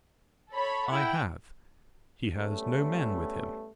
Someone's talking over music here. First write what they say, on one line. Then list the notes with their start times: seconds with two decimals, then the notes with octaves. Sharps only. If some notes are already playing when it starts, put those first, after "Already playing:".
I have. He has no men with him.
0.51 A4 C#5 B5
0.92 E4 F#5 G5
2.37 G3 A3 B3 C#4